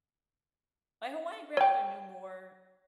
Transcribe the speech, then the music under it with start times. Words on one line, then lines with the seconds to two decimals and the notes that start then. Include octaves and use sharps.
My Hawaiian grandmother knew more
1.57 C#5 G5